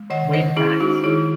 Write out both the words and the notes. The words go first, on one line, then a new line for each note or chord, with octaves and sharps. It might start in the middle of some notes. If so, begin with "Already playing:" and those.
Weigh the facts.
Already playing: G#3
D#3 D#5 F#5
D#3 C5 D#5
C#4 E4 G#4
E4
G#3 D#4 F#4
D#3 E4 G#4